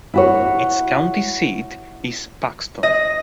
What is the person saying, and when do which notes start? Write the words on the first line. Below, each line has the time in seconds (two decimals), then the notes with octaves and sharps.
Its county seat is Paxton.
0.14 E4 F#4 C#5
2.83 D#5